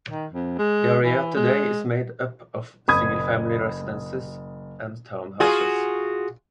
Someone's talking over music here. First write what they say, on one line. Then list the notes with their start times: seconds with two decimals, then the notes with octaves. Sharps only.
The area today is made up of single-family residences and townhouses.
0.10 D#3
0.33 F2
0.58 G#3
1.05 E3
1.35 G#3
2.88 F#1 B5 D#6 G#6
5.40 F4 F#4 G#4